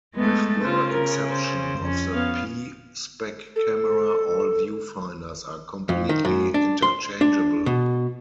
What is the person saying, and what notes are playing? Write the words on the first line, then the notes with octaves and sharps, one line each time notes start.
With the exception of the "P" spec camera, all viewfinders are completely interchangeable.
G#3 A3 B3
C#3 F4 C5
A#4
C5
F2 C#4
B3 F5
A4
F2
D#3
F#2
D4
C6
D4
B2